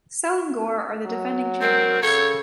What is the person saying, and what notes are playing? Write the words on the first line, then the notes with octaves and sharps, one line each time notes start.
Selangor are the defending champions.
F#3
C4 A#4
C#3 A4 C#5